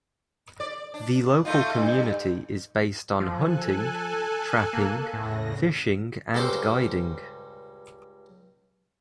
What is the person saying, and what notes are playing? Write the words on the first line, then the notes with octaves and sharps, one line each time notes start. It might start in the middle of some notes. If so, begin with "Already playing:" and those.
The local community is based on hunting, trapping, fishing and guiding.
D5
D4
A3 D#4 F4
G2
F3 A4 G#5 F#6
A#3
E2 A2 C#3 A#6
C#2 G2 A4 C5 D6